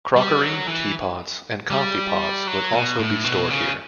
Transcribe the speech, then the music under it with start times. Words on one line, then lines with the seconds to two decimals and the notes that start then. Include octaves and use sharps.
Crockery, tea pots and coffee pots would also be stored here.
0.16 G3
0.42 F#3
0.67 E3
1.70 G3
2.47 F#3
2.73 B2
2.99 A2
3.24 B2
3.50 C#3